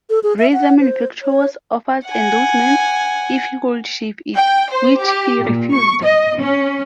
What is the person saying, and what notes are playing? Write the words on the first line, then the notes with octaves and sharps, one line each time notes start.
Razor manufacturers offered endorsements if he would shave it, which he refused.
A4
G#4
E5
F#5
C5
C#5
F#5 G#5
G5
C5
G4
A#2
C#6
D#5
C#4